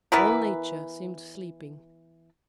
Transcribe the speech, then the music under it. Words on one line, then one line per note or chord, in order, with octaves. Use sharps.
All nature seemed sleeping.
E3 B3 A#4 B4